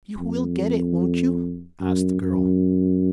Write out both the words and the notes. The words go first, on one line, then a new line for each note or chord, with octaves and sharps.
"You will get it, won't you?" asked the girl.
F2
F#2
F#2